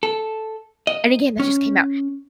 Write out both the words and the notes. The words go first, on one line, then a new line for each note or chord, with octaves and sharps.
any game that just came out,"
A4
D#5
C#4